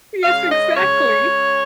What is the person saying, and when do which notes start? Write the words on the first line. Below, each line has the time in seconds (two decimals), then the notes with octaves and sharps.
Yes, exactly.
0.22 C#3 G#3 C#4 F5
0.49 D#5
0.75 C#5